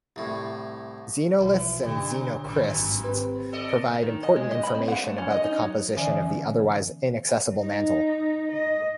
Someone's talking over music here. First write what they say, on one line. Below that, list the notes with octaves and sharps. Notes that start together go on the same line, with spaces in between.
Xenoliths and xenocrysts provide important information about the composition of the otherwise inaccessible mantle.
C2 A2
B1 E3 F3
A#2 D3 G3
A1 F#2 A#2 D#3
G#1
C4 G4 B4
A4 D5 D#5
D#3
D#5
G#3
D#5
B5
C4
F#5
A3
C#4
D#5
D#4
F#3
D3 E3 C#4 D5 E5 G#5
D#4
D#5